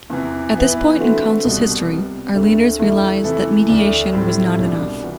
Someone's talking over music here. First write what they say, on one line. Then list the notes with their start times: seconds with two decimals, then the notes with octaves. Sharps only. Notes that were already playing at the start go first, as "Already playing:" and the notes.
At this point in Council's history our leaders realized that mediation was not enough.
0.10 E2 C3 E3
0.56 E3 B3 E4 B4
1.00 D3 A3 C4 F#4 B4
1.44 C2 B2 G3
1.89 C3 G3 B3
2.34 D2 D3 A3 C4
2.79 E2 D3 A3 E4
3.23 C3 E3 A3 E4 A4
3.69 D2 D3 A3 D4
4.13 A2 G3 C4
4.58 C2 B2 G3 D4
5.02 E3 F#4